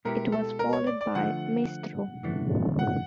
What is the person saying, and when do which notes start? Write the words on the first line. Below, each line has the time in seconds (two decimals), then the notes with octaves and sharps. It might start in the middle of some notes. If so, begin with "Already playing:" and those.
It was followed by "Maestro".
0.05 B2 G#3 B3 E4 G4 A#4
0.32 A4
0.59 A#4
0.73 C#5
0.86 D5
1.01 D5
1.15 D3 F3 A3 F#5
2.23 G2 E3 A3 D4
2.79 F#5